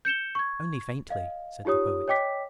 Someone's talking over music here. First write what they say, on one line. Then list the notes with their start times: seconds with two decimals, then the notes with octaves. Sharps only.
"Only faintly," said the Poet.
0.05 G6 C#7 E7 G7
0.35 C#6 G#6
1.10 D#5 F5
1.65 D#4 F4 G4 C#5 D#6
2.08 C#5 D#5 G5 D6 B6